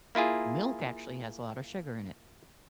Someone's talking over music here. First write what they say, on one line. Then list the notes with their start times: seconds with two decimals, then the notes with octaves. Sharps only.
milk actually has a lot of sugar in it.
0.15 A#3 E4 F4 G#4